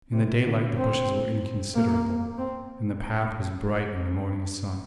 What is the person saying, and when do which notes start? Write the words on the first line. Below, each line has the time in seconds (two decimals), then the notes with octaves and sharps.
In the daylight the bushes were inconsiderable and the path was bright in the morning sun.
0.13 C3
0.45 D3
0.77 C4
1.75 A#3
2.38 C4